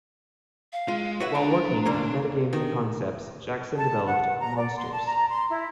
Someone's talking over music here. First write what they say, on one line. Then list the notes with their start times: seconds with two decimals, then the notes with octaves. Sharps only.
While working at Metagaming Concepts, Jackson developed Monsters!
0.73 F5
0.88 G#3 F4
1.20 F#4 B4 C#5 E5 F#5
1.35 C#2 D4 A#5
1.86 D3 A#3 C#4
2.53 D#3
3.76 A5
4.06 F#5
4.39 A#5
4.55 D5
4.76 C6
4.91 A5
5.06 A#5
5.28 C6
5.50 E4